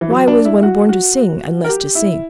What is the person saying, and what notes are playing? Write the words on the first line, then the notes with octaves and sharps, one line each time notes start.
Why was one born to sing, unless to sing.
E3
F#3
D4
E4
F#4
F#4
A#4
G4
E4